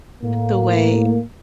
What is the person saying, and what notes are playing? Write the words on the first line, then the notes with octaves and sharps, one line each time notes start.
the way
A2 A#3